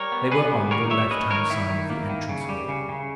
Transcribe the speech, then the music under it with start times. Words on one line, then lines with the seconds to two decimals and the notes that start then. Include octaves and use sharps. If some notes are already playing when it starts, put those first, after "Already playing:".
They were on the left-hand side of the entrance-hall.
Already playing: G3 A#4 C#5
0.12 B3
0.31 B3 G#4 B4
0.51 G3
0.71 D#3 A#4 C#5
0.90 G3 C#5 E5
1.10 C#4 B4 D#5
1.30 D#3 A#4 C#5
1.50 D#3 E4
1.70 D#3
1.90 A#3
2.10 D#3
2.29 C#3
2.49 G3
2.69 C#3
2.89 C#3